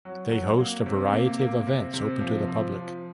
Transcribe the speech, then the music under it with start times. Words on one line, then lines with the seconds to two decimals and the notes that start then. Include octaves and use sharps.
They host a variety of events open to the public.
0.05 F#3
0.32 F#3
0.59 A#3
0.86 C3
1.13 A#3
1.40 A#3
1.67 C3
1.94 C3
2.20 F3
2.48 F3
2.74 F3